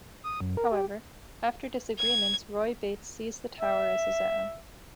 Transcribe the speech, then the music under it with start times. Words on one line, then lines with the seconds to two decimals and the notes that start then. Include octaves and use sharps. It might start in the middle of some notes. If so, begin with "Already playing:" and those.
However, after disagreements, Roy Bates seized the tower as his own.
0.24 D#6
0.41 F#2
0.57 A#4
0.72 G4
1.99 G#6
3.60 E5